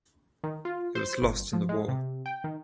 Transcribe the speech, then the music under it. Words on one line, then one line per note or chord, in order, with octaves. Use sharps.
It was lost in the war.
D#3
F4
C5
G1
F3
G#3
C3
G5
D#3